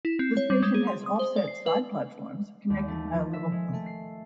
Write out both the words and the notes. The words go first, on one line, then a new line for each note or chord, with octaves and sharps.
The station has offset side platforms connected by a level crossing.
E4
C4
C#5
G3
G#3
G#4
C6
D#6
C5
D5
C7
B4
D#2
A3
F3
E5
G#3
A3
C7